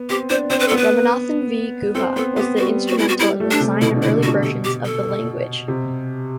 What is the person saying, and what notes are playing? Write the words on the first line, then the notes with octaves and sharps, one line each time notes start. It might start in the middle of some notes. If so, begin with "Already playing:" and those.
Ramanathan V. Guha was instrumental in the design of early versions of the language.
Already playing: B3
C4 G4
D4 C5
C4 C5
B4
B3 A4
B4
C4 A4
B3 A4
B3 G4
G3 F#4
F#4
E4
F#4
G3 E4
A3
D4
C3
B2 E4
D3
E4
D3
F#4
B2
A4
G4
A4
C3